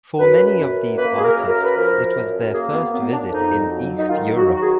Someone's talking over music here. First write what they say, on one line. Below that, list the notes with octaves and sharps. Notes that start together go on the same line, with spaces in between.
For many of these artists it was their first visit in East Europe.
F#2 B4
F#2
A#3 B4
G#4
A#4
F#2
A#4
B4
F3 A#4
F#2
A#3 G#4
B3
F#2 B3
D4
F2 D#4
F#3
D#4
D#3 F4
F#4
F#3
F#4
G#4